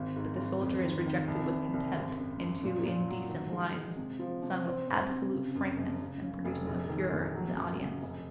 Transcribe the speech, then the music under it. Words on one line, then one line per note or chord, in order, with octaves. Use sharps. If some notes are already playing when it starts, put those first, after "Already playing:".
But the soldier is rejected with contempt, in two indecent lines, sung with absolute frankness and producing a furore in the audience.
Already playing: G#1
G#2
G#1
F2
D#3
D#3
C2
C3
C2
G#1
F#2
F#2
A#2
A#2
F#3
D#3
G#3
G#3
C3
F3
C3
C4
C4
C3
C#3
F#2
F#1
C#3
C#3
F1
A#1
D#3
A#1
F#3
F#2
C#3
F1